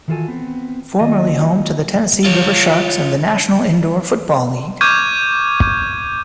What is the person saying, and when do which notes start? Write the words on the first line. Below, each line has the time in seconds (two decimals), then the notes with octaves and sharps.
Formerly home to the Tennessee River Sharks of the National Indoor Football League.
0.08 D#3 E3 F4 F#4 A4 G#5
0.28 B3 C4
0.99 D#3 F#3 A#3 F4 D5 D#5
2.24 F4 C#5
4.81 C#6 D6 F6 G6 G#6 D#7